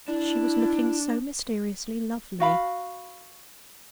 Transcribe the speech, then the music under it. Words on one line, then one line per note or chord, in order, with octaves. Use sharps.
She was looking so mysteriously lovely.
D4 E4
F#4 F5 B5